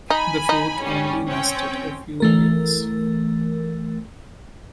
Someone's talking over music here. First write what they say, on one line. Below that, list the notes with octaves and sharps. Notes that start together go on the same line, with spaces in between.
The fort only lasted a few years.
D#4 G#5 B5
D#4
G#2 G3 C#4
C4 C#4 G5
E3 A3 A#4